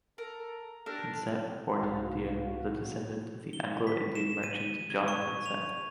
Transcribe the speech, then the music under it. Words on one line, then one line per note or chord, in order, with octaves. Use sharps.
Prinsep, born in India, was a descendant of the Anglo-Indian merchant John Prinsep.
A4 A#4
D4 G4 A4 A#4 A5
C2 A2 F#4 F5
G7
B6
E7
D#7
G#6
C#6
F7